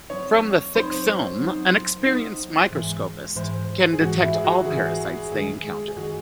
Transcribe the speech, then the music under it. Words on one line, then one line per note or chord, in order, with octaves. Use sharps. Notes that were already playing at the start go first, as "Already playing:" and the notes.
From the thick film, an experienced microscopist can detect all parasites they encounter.
F#3 C4 D#4 C#5
F#3 C4 D#4 C5
F#3 C4 D#4
F#3 C4 D#4
G#2 E3 G#3
G#2 E3 G#3 C5
G#4
G#2 E3 G#3 F#4
E4
G#4
F#4
G#2 E3 G#3 G#4
F#4
G#4
F#2 D#3 G#3 G#4
G#4
F#2 D#3 G#3 F#4